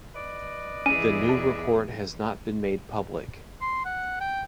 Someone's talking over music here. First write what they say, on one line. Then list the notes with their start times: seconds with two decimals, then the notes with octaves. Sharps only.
The new report has not been made public.
0.14 B4 D5 D#5
0.86 E2 C#4 E4 G#4 D#7
1.29 A5
3.61 C6
3.85 F#5
4.21 G5